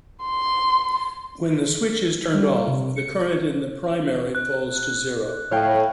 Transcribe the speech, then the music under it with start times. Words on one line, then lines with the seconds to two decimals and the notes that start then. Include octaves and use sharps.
When the switch is turned off, the current in the primary falls to zero.
0.24 C6
2.34 G3
2.67 C3
2.96 C#7
4.35 F#6
5.51 A2 C#5 F5 G5